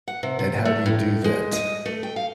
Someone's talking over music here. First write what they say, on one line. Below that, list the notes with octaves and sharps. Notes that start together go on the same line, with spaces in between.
and how do you do that?
F#5
C3
C3
A3
A2
G#3
D#5
A3
G5
F5